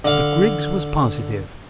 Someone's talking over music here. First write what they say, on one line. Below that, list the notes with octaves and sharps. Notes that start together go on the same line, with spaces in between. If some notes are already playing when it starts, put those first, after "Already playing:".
But Griggs was positive.
D3 F5